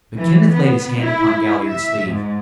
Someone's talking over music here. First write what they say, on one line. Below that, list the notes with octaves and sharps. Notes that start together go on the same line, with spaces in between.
But Kenneth laid his hand upon Galliard's sleeve.
E3
B3
E4
E5
G#2